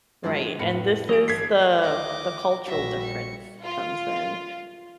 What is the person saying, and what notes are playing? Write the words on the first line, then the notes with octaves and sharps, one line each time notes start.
Right, and this is the the cultural difference comes in
G2 F3 F#3 G#3
D3 G#3
F1 A2 B3 B5 C#7
E3 F#3 A3 G#4 C#5 D#5 D7
G1 G#6 B6 C7
D2 D#3 D#5 D6
A#1 G3 F#4 E5 A#6
C#7
F4